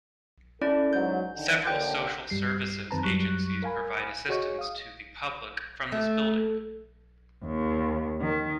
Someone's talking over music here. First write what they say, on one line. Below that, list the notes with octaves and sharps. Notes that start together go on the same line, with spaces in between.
Several social services agencies provide assistance to the public from this building.
C#4 E4 A4 D5
G#2 F#3 G6
D3 D#3
D#2 D3 G5 G6
G2 G3 C7
F#2 D#3 C4 B4 A5 A#5
F#2 F#3 G3 C#6 F#6
A#4 F5 G#5 B5
F#4 G#4 C#5 D#5 C#6
F5 D#6
A3
D#2
D#3